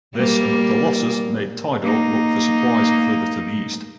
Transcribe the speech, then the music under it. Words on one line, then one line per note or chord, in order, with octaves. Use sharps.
This and other losses made Tidore look for supplies further to the east.
G3 A#3
A#3 D#4